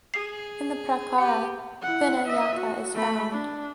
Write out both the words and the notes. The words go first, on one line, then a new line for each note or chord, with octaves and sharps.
In the prakara Vinayaka is found.
G#4 C7
G4 B4 F#5
E4 F#5
D#5 E5
F#4
A3 B5
D4